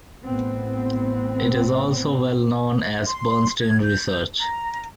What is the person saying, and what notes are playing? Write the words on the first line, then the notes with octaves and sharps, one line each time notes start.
It is also well known as Bernstein Research.
A1 B3 C4
C6
G#6
G6
A#5